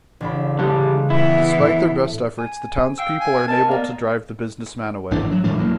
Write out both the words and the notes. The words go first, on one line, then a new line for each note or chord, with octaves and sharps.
Despite their best efforts, the townspeople are unable to drive the businessman away.
A1 C#3 D4 B5
D3 G3 G#3
E3 B3 E4
A2
G#5
F5 G5 E6
G#5
A#4 D#5 A5
A#3 B3 A#4 D5
G#1 E3 D4
F#3
A2 D#3 G3 D4
D2 E3 F#3 A#3